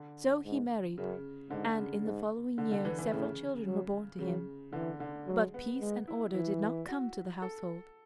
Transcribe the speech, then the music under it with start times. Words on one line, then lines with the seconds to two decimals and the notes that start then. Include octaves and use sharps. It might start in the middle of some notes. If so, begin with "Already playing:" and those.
So he married, and in the following years several children were born to him; but peace and order did not come to the household.
Already playing: D3
0.44 G#2
0.98 F#2 C#3
1.50 G#2 D3
1.78 C#3
2.04 G#2
2.58 D3
2.72 D3
2.85 E3
2.99 E3
3.12 A2 C#3
3.65 F#3
4.19 C#3 F#3
4.73 D3 E3
5.00 D3
5.27 F#3 G#3
5.54 B3
5.81 G#3
6.08 E4
6.34 E3 E4
6.89 F#4
7.42 A4